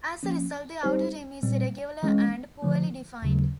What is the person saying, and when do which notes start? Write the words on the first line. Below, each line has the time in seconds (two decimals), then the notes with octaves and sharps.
As a result, the outer rim is irregular and poorly defined.
0.23 F3 A#3 C#4
0.83 G3 C4 D#4 G4 C5
1.43 A#2 G3 C4
2.03 E3 G#3 C#4
2.62 D3 F3 A3
3.22 D#2 C#3 F#3